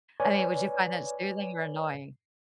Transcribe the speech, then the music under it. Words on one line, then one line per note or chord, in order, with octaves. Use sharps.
I mean, would you find that soothing or annoying?
B4 C#5 D5 G#5